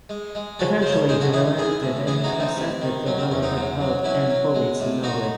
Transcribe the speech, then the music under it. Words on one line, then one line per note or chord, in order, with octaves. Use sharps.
Eventually he relented and accepted the will of the Pope and Holy Synod.
G#3
G#3
C#3 F#4 A4
C#3 C5
A4 C#5
G#3 G#4 C5
F#4 A4
E3 E4 G#4
G#3 E4 G#4
A2
E3 E4 G#4
D#4 F#4
A2
C4 D#4
C3
D#3
F#3 C#4
C4
E2 C#4
C4 D#4
G#2
F#3
F#3 C#4 E4
F#3
G#3
A2
A2 D#4 F#4